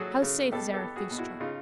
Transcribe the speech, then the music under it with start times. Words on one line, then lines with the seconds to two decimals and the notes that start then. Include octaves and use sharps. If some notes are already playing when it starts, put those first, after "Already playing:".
How saith Zarathustra?
Already playing: F#3 F#4 G#4 A4
0.22 C#3
0.52 B2 G4 A4
0.74 G4 A4
0.81 B3
0.96 F#4 G#4
1.11 B2
1.18 E4 F#4
1.40 C#3 D#4 F4